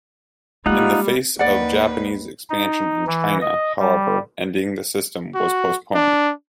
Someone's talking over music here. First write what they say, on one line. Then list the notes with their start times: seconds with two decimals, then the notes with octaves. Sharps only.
In the face of Japanese expansion in China, however, ending the system was postponed.
0.66 G3 G#3 A#3 D#4 F4 F#5
1.39 D#2 B4 D5 F#5
2.50 D#4
3.07 E3
3.42 D#5
3.80 G3
5.35 F#4
5.94 D4